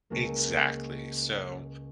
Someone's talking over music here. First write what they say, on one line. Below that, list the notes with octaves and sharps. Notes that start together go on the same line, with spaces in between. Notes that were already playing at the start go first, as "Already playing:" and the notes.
Exactly, so
C#2 A#3